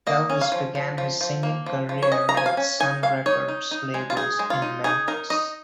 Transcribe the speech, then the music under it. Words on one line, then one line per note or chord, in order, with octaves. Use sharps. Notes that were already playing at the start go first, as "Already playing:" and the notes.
Elvis began his singing career with Sun Records label in Memphis.
A#3 D#5
C#4
F5
F3
F3
F3
F3
A#3
F3
F3
C#5
C#4 D#5
A#5
F3 G#5
F5
C#4
D#4 G#5
G#3 F5
D#4 C#5
D#4
D#4
G#3
F4
D#4 G#4
G#3
F4
D#4
D#4 G#4
D#4 A#4
D#4 D#5